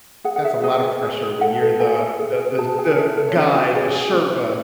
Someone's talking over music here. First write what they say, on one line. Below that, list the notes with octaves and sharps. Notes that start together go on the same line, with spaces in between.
That's a lot of pressure when you're the the the the guy, the Sherpa
G#4 F#5
F#5
G#4 E5
G#4 D#5
G#4
G#4
G#4
A4 F#5
A4
A4 G#5
A4
G#4
G#4
G#4 A5
G#4 G#5
A4 E5
A4
C#5
C#4 D#5
F#4
G#4 C#5
G#4
C#4
E4